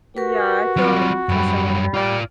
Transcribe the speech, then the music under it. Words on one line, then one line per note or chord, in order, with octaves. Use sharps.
Yeah. I feel I feel similar.
F#4 G4 A#4 B4
F#3 G3 C4 F4 B5
F#2 G3 G5 B5
G3 F4 D5